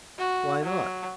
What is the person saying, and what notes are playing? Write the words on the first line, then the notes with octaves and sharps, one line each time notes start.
"Why not?"
F#4
F#3